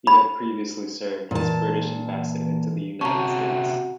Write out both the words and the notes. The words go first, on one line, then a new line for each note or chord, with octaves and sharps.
He had previously served as British Ambassador to the United States.
B5
A#2 E3 A5
C3 C#4 F#4 A5 A#5 C#6